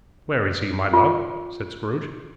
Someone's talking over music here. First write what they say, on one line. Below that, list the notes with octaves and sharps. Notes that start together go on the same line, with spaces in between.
'Where is he, my love?' said Scrooge.
F4